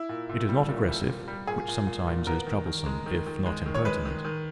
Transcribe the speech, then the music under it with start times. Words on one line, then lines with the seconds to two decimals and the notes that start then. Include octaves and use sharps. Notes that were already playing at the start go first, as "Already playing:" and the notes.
It is not aggressive, which sometimes is troublesome, if not impertinent.
Already playing: E4
0.09 A#2
0.29 A#2
0.49 G3
0.69 A#2
0.88 G3
1.08 A#2
1.28 G3
1.47 A#2 G#4
1.68 A#2
1.87 A#2
2.07 A#2
2.27 B3 A#4
2.47 D#3
2.66 D#3
2.86 G#3
3.06 D#3
3.26 D#3
3.46 G#3
3.66 D#3
3.74 C#5
3.85 G#3 B4
4.05 D#3
4.25 D#3